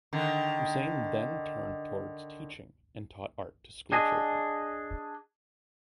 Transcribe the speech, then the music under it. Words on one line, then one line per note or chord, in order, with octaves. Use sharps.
Husain then turned towards teaching and taught art to school children.
D3 D#3
D4 G#4 D#5